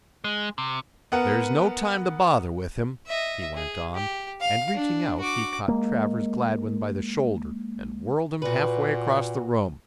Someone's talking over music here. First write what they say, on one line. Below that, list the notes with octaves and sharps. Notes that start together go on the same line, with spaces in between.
"There's no time to bother with him," he went on, and reaching out he caught Travers Gladwin by the shoulder and whirled him half way across the room.
G#3
C3
B3 A#4 F#5
D#5 E5
G#4
G4
F5
D4
F#4 D6
G#3 A#3
A#2 F#4 B4